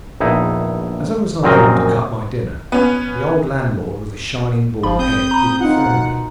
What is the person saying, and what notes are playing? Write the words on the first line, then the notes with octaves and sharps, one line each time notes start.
As I was not able to cut my dinner, the old landlord with a shining bald head did it for me.
A#1 E2 D#4 E4
A#1 F#2 A#2 C4 A#4 D#5
B3 C#4
G1 F3 F4 B5
C4 D#6 G6
A#5 B5
D#4 F4 F#5
B2